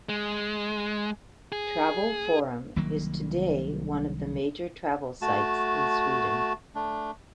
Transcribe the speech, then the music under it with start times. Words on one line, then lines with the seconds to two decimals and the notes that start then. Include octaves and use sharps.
Travel Forum is today one of the major travel sites in Sweden.
0.09 G#3
1.52 G#4
2.76 C2 D#3 F#3 A#3
5.22 A3 F#4 A5
6.75 A3 D4